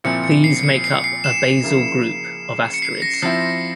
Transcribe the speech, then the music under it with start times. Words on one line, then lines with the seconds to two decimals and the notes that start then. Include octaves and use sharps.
These make up a basal group of asterids.
0.04 A#2 F3 C4 E4 C#7
0.24 C#7
0.44 C7
0.63 C#7
0.84 C7
1.04 C7
1.24 E7
1.63 C#3 F3 A#3 E4
2.74 C#7
2.82 C7
3.02 A#6
3.14 C#7
3.22 F3 C4 E4 C7